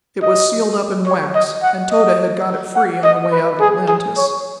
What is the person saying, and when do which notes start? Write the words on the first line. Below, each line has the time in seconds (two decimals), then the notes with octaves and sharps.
It was sealed up in wax, and Tode had got it free on the way out of Atlantis.
0.22 D#5
1.06 C#5
1.35 D#5
1.63 F#5
1.91 D#5
2.76 F#5
3.04 D#5
3.32 B4
3.61 G#4
3.88 G#4
4.17 C#5